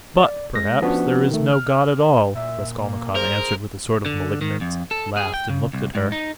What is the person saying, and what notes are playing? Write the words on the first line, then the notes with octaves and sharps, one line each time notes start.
"But, perhaps, there is no God at all," Raskolnikov answered with a sort of malignance, laughed and looked at her.
D5
G#3 A#6
F3 B3 C#4 D4 F#4
D#3 A3
F6
A#2 E5
A#3
G#4 A#4 C5
D3
D#3
F2
A4
G#4
G5
C#3
C2
G#2
D#4